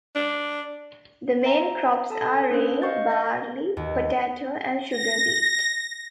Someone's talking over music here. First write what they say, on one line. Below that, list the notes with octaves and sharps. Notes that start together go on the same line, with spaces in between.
The main crops are rye, barley, potato and sugar beet.
D4
C5 E5 A#5
A4 A5 D#6
C#4 D4 B4 C5
D#5 F5 C#6 G6 A6
A#6
D#2
A#6